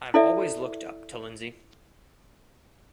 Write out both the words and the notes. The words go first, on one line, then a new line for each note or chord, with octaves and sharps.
I've always looked up to Lindsey.
E4 A4 D5 E5